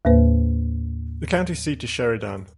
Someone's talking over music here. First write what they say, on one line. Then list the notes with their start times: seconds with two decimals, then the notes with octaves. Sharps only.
The county seat is Sheridan.
0.05 D#2 A2 A#3 B4 C5